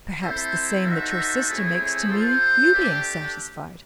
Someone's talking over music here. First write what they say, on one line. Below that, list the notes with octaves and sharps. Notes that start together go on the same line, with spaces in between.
'Perhaps the same that your sister makes to me, you being satisfied.'
C4 E4 A4 C5 E5
D#4 F#4 A4 C5 E5
A3 C4 E4 G#4 C#5
F4 A4 C5
A3 D4 G4